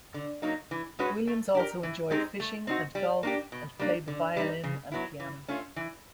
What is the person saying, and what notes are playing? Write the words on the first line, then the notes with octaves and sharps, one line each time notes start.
Williams also enjoyed fishing and golf and played the violin and piano.
D3
F#3 A#3 D#4
E3
G#3 C#4 F#4 B4
A3
D4 G4 A#4
E3
G#3 C4 D#4 G4
A3
C4 D#4 F#4
G3
A#3 D4 G4
B2
G3 A#3 D4
D3
G3 C4 D#4
C#3
F#3 B3 E4
E3
A3 C#4 F4
E3